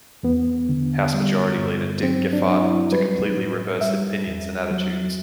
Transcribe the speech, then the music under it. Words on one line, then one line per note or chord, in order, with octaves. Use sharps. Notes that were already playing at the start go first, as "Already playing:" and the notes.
House Majority Leader Dick Gephardt to completely reverse opinions and attitudes.
E2 B3
D3
G3
G2
F#3 C4
D4
F#3
E4
G3 B4
A2
G3 E5
E2
F#3